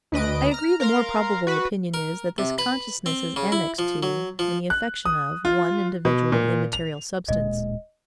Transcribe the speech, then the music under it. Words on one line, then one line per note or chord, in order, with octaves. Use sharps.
I agree, the more probable opinion is, that this consciousness is annexed to, and the affection of, one individual immaterial substance.
D2 B4 D#5 D7
A#5 F6
A#4 F5 A#5 C6
F#4 B4
A#4
C3
B4
C4
C#3
E4
F3
F#3
F3
F#6
D#6
F4
B2
A#2
F7
D1 A#2 G#3 D#5